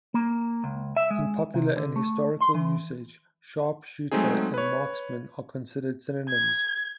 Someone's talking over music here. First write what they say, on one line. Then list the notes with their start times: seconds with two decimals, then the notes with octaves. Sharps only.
In popular and historical usage, "sharpshooter" and "marksman" are considered synonyms.
0.14 A#3
0.64 C#2
0.96 E5
1.10 G#3
1.54 C3
1.77 D3
1.96 A3
2.41 C6
2.55 E3
4.11 F#3 G#3 A3 C4 D#4 G#4
4.54 B4 C#5
6.28 G#6